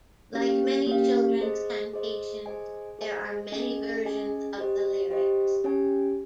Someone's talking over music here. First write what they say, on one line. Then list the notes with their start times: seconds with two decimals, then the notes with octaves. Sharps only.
Like many children's cantations, there are many versions of the lyrics.
0.34 A#3 C#4 G4 C#5 F5
0.87 A#3 C#4 G4 C#5 F5
1.39 G#4 C5 D#5
1.93 G#4 C5 D#5
2.46 G#4 C5 D#5 G#5
2.99 G#4 C5 D#5 G#5
3.52 C#4 G#4 D#5 G#5
4.05 C#4 G#4 D#5 G#5
4.58 G4 C5 D#5
5.11 G4 C5 D#5
5.64 C#4 G4 C#5 G#5